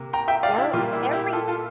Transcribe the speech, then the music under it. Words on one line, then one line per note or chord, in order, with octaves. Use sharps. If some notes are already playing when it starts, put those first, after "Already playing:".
Yep, every
Already playing: C3 A#3
G5 A#5
E5 G5
D5 F5
E4 G4
A#2 G3 A#3 F4
E4
E4 G4
F4 A4
F4 A4